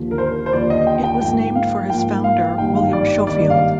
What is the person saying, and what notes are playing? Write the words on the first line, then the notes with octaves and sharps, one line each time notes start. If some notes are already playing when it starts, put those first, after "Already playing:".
It was named for its founder, William Schofield.
Already playing: D#2 D3 F3 A#3
A#4
C5
C5
D#2 D3 F3 A#3 D5
D#5
G5
G5
G#2 F3 A#3 G5
F5
G#2 F3 A#3 G5
F5
G#1 G2 D#3 A#3 D#4 G5
F5
D5
G#1 G2 D#3 A#3 D#4 D5
F5